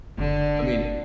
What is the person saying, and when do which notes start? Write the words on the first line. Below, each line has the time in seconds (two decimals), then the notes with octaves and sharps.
I mean
0.18 F#1 D3